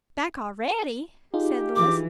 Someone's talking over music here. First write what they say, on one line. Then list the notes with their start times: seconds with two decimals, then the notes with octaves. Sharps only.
"Back already!" said Louis.
1.34 D#4 F4 G4 G#4
1.76 E3 D6